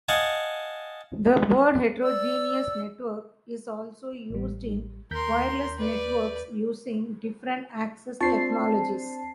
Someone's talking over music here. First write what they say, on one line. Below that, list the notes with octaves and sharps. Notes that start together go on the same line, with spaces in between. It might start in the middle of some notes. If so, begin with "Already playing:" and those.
The word heterogeneous network is also used in wireless networks using different access technologies.
D#5 F5 F#5 G#5 A5
D5 E6
A1 G3
D#2 A#4 C6 G6 B6
B4 D5
C4 D4 F4 C5 A5 C7